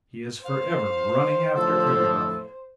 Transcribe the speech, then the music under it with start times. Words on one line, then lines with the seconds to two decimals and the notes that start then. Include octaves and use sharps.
He is forever running after everybody.
0.44 C5 F5
1.54 A2 D3 F3 A4